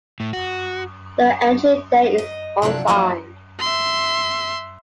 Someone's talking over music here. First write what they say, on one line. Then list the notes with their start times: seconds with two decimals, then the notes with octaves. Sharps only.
The entry there is unsigned.
0.20 A2
0.33 F#4
2.18 D#5
2.62 C3 F3 F#3 D4 F#5
2.88 F3 F#3 A#3 D#4 F#4
3.60 E5 C6